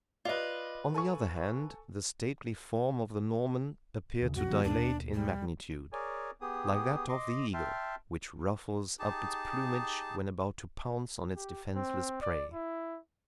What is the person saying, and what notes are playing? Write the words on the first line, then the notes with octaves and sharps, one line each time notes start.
On the other hand, the stately form of the Norman appeared to dilate in magnitude, like that of the eagle, which ruffles up its plumage when about to pounce on its defenceless prey.
F4 B4 D5 D#5
A4 G#5 C#6
D#2 C#3
F1 C2 F#2 F#4
D#3 F#3 B3
D#2 B2 A#3 D4
G3
G#4 A#4 C#5 D5 G#5
B3 G4 G#4 D#6
D#5 C6 D6
E5 G5 A5 C6 F6
D#4 G4 G#4 A5
G4
C4
D5
E4